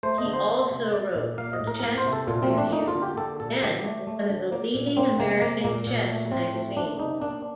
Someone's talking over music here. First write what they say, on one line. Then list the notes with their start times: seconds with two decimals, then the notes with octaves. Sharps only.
He also wrote for "Chess Review", then one of the leading American chess magazines.
0.03 A3 C5
0.18 D#5
0.25 D3
0.33 C5
0.48 A#3
0.71 C3
0.93 A#3 D5
1.15 A#2
1.38 A#3 F5
1.53 D#5
1.61 A2
1.67 A#4
1.83 A#3 A#4
1.98 C5
2.05 C3
2.13 A4
2.27 A#2 F4
2.43 C4
2.50 A3
2.58 D4
2.72 A#3 D#4
2.88 F4
2.95 D3
3.03 G4
3.17 A#3 A4
3.40 A#2 A4
3.62 D3 G4
3.85 A3
4.07 A3
4.30 D3
4.52 A#3
4.75 A#2
4.97 A#3 C4
5.20 C3 A#3
5.42 A#3
5.64 A#2 A#3
5.87 A#2
6.09 A3
6.32 A2 C4
6.54 A3
6.77 A#3 D4
6.99 C3 D#4
7.22 A#3 D4